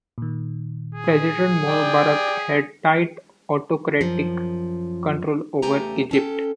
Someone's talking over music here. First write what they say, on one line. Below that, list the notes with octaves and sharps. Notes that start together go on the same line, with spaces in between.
President Mubarak had tight, autocratic control over Egypt.
A#2 D#3
G#4
D5 G5
F#2 F3
E2 C#3 A3 G4 G#5 A#5
C#4 A4 G5